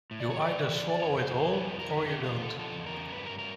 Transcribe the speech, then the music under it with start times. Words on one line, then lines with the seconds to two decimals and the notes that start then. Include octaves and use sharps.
You either swallow it whole-or you don't.
0.11 A2
0.20 D5
0.28 E3 C#5
0.41 D5
0.46 E3
0.64 E3
0.81 E3
0.90 D5
0.99 F2 C#5
1.17 F2 C5
1.35 F2 C5
1.53 F3 B4
1.71 F2
1.79 A#4
1.88 D3
2.06 C#3 G4
2.24 E2 F4
2.42 C#3 A4
2.59 F3 A4
2.77 E2
2.86 A#4
2.95 C#3
3.13 G2 B4
3.25 A#4
3.30 G2
3.39 A#4